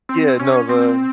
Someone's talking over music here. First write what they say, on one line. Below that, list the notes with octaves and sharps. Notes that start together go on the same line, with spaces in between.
Yeah, no the
C4
C#4
C4